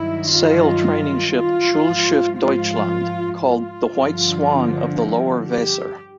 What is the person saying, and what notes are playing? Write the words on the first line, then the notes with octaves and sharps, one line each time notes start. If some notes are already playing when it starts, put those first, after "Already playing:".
Sail training ship "Schulschiff Deutschland", called "The White Swan of the Lower-Weser".
Already playing: G2 D#3 F#3 E4
F4
F4
G#2 F3
F4
F4
G2 D3 F3
G4